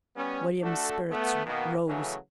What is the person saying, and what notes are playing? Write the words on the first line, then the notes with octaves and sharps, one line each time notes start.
William's spirits rose.
G3 B3 C#4
A3 D4 F#4 A4
A3 B3
B2 D#3 A#3 B3
C#3 E3 F#3 A3 C#4